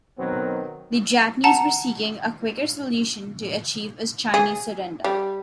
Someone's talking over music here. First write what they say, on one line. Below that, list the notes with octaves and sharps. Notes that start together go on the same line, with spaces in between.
The Japanese were seeking a quicker solution to achieve a Chinese surrender.
B2 D#3 F#3 B3 C4
F#5 A5 A#5
G#4
G3